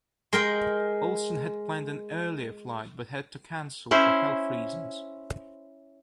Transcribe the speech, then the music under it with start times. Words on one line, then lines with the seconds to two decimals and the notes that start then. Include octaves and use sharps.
Olsen had planned an earlier flight, but had to cancel for health reasons.
0.33 G#3 A#4 G5
3.91 C#4 E4 C5